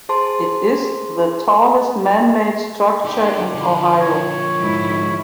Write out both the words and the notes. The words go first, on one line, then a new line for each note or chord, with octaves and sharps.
It is the tallest man-made structure in Ohio.
G#4 C5 A5 C6
D#3 D4 G4
D3 F3
C#5
G#2 E4